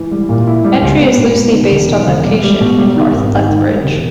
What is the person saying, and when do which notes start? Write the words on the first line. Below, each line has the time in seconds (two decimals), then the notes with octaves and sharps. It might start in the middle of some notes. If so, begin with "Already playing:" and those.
Entry is loosely based on location in north Lethbridge.
Already playing: E3
0.11 G3
0.29 A#2
0.47 E4
0.64 G3
0.82 C#2
1.00 B3
1.17 B2
1.35 B2
1.53 D#3
1.71 E1
1.89 D#3
2.07 E1
2.25 G3
2.43 G3
2.61 B2
2.77 G3
2.96 D#3
3.13 G#1
3.32 G#1
3.48 D#3
3.67 G3
3.84 E1